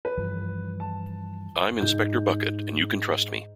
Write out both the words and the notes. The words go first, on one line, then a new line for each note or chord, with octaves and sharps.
I'm Inspector Bucket, and you can trust me.
B4
G2 E3 F3
A5
G#2 G6